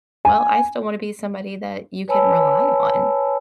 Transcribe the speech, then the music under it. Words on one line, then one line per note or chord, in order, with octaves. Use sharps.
well, I still wanna be somebody that you can rely on.
G#5
B4 C#5 G#5 A5 B5 E6